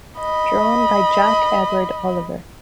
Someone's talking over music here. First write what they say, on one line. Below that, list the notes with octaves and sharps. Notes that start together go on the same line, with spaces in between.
Drawn by Jack Edward Oliver.
D#5 B5